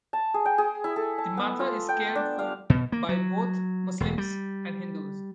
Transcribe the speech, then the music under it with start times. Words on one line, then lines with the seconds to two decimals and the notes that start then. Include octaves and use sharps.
The matha is cared for by both Muslims and Hindus.
0.13 A5
0.34 G#4
0.45 G5
0.58 G#4
0.84 E4
0.96 A4
1.18 A5
1.37 B3
1.59 F4
1.89 G5
2.15 D4
2.39 F5
2.70 B2
2.92 A#3
3.09 F#3
4.00 E1
4.18 G3